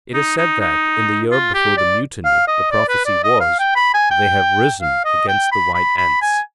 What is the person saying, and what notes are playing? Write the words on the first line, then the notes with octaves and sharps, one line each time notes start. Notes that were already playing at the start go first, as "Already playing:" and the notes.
It is said that, in the year before the Mutiny, the prophecy was "They have risen against the white-ants."
D#4
D#4
D#4
F4
G4
D5
F5
D#5
D5
B4
D5
D#5
F5
G5
B5
G#5
G5
F5
D#5
G5
B5
B5
B5
G#5